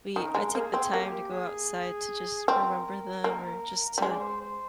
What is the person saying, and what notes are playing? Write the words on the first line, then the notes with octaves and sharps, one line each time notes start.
we I take the time to go outside to just remember them or just to
D#3 A#4
G#3
A#3 G#4
C4
A#3 G4
G#4
C4 A#4
A#3
G3
G#3 C5
D5
C5
C5